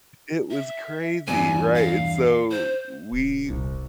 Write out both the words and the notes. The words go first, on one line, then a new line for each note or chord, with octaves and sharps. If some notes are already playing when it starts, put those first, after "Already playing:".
It was crazy, right? And so we
E5
E2 G2 G#5
F5
C5
D#1
C2